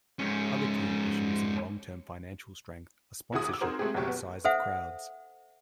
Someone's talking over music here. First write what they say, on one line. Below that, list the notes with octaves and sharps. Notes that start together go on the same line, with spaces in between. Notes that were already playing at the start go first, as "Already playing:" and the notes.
Other key issues in long-term financial strength are sponsorship and size of crowds.
G#2 C#4
D#2 E4 F#4 G#4 D#6
D6 E6
C4 D#4 F#4 G#4 A#4 C5
G#3 A3 C4 G4 G#4
F#1 B2 F#3 G4 C#6
B3
A4 C5 E5 F#5